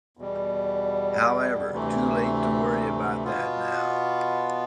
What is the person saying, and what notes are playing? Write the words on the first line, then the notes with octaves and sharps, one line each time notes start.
However, too late to worry about that now.
E2 B2 G3
D2 C3 E3 A3
B2 B3 F4